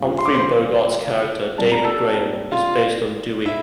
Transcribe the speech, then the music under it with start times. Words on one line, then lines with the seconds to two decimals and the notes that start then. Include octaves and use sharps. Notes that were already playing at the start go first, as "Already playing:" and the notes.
Humphrey Bogart's character, David Graham, is based on Dewey.
Already playing: G1 G2 F3 A#3 F4
0.19 C6
0.26 D6
0.35 C5 C6
1.58 A#2 G3 C4 A5
1.72 A#5
1.84 A4 A5
2.52 F4 F5
3.46 E4 E5